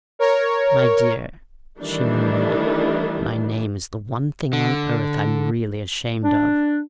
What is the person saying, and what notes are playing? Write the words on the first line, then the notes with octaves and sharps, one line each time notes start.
'My dear,' she murmured, 'my name is the one thing on earth I'm really ashamed of.
A#4 C#5
D#3 E3 G3 A3 D4
D3
D4